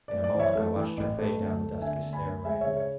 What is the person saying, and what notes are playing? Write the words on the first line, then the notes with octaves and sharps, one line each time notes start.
In a moment I watched her fade down the dusky stairway.
D5
A2
D5
E3
C#5 E5
A3
E3
A1
A3
D2
A3
D3 E5 G#5
D2
G#5 B5
D2
G#3 E5 G#5
C#5 E5
C#3
C#5